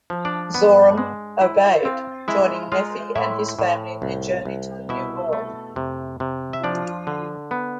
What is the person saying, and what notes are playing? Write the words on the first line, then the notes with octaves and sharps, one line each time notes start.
Zoram obeyed, joining Nephi and his family in their journey to the New World.
F3
D4 D5
B3
G#3
E4
C4
G#3 E4 E5
G#3 F4 F5
A2 E4 E5
A2
C2
C2
B2 E4 E5
A3
C3
C3
E5
F3 D4 D5
D3
B3